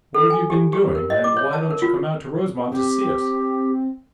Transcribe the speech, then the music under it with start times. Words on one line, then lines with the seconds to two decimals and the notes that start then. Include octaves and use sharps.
What have you been doing, and why don't you come out to Rosemont to see us?
0.14 A4
0.30 G#5
0.50 G4
0.73 G4
0.95 A#4
1.10 D#5
1.24 D6
1.37 C#5
1.53 A5
1.71 A#4
1.82 F4
2.72 C4 G4